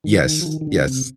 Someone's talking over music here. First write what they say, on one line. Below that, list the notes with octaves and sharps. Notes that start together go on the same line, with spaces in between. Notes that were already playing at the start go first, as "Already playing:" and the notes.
Yes, yes.
D#3
D#3
F3
D#3
D#3
D3
C3